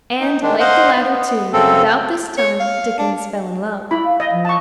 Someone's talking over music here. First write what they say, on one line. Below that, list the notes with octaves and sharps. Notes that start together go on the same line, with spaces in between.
And like the latter, too, about this time Dickens fell in love.
D#4
D#3 G#3 D4
C5 D#5 F5 F#5 C6
B3
F#2 C#3 C4 A4
C#5
F5
D4
E4 B5
F5
D#5
F3
A5 C#6